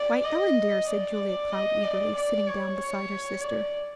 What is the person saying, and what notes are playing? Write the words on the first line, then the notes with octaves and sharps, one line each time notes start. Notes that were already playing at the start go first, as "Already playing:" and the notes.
"Why, Ellen, dear!" said Julia Cloud eagerly, sitting down beside her sister.
Already playing: D5
D#5
D5
D#5
D5
D5
C#5
C#5
D5